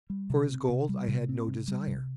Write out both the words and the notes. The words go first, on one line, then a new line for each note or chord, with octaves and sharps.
For his gold I had no desire.
G3
C3
C4
C3
G3
C3
C4
C3
G3
C3